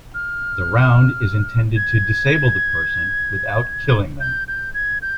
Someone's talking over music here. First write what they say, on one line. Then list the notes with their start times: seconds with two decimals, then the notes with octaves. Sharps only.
The round is intended to disable the person without killing them.
0.14 F6
1.76 G#6
4.20 G6
4.48 G6
4.74 G#6
5.02 G6